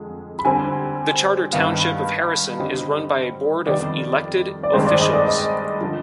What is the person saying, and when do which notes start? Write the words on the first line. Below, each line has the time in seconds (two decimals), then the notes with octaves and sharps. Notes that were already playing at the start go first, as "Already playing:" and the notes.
The Charter Township of Harrison is run by a board of elected officials.
Already playing: F2 D3 G#3
0.39 B5
0.45 D3 G3 C4 G#5
1.52 G2 D#3 B3 F5
2.59 D3 G3 C4 D#5
3.66 F2 D#3 G3 B3 D5
4.63 D5
4.73 G2 D#3 G#3 C4 C5
4.86 D5
5.01 D#5
5.13 D5
5.27 D#5
5.81 D3 F3